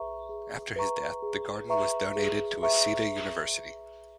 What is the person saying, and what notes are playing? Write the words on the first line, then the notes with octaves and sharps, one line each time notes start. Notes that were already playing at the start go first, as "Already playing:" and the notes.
After his death, the garden was donated to Waseda University.
Already playing: G#4 B4 E5 A#5 C#6
G#4
B4 E5 A#5 C#6
G#4
B4 E5 A#5 C#6
G#4
B4 E5 A#5 C#6